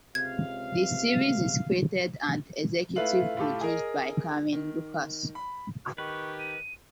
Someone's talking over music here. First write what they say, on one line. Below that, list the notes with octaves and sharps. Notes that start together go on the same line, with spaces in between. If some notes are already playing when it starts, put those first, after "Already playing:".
The series is created and executive produced by Caryn Lucas.
C#2 C3 F5 G#6
A3 E4 F4 B4 F5 F#7
A2 F4 G4 A4
G#4 A#4 D#5
D#3
B5
D#3 G4 B4 C#6
D#7